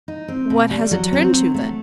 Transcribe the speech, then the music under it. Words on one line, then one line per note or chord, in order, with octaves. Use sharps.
"What has it turned to, then?"
D#4
C4
B2
G3
F#3
C4
F#3
A3